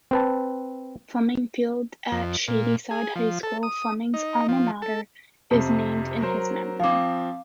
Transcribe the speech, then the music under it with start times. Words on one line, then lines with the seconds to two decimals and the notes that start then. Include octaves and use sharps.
Fleming Field at Shadyside High School, Fleming's alma mater, is named in his memory.
0.11 C4 B4 A5
2.12 F2
2.48 A#2
2.91 G#4
3.16 F3
3.43 A4
3.63 D#6
4.14 D#4
4.48 F3
4.82 A4
5.51 F2 C3
6.21 F#3 A#4 C5
6.80 F3 C4 F5 D6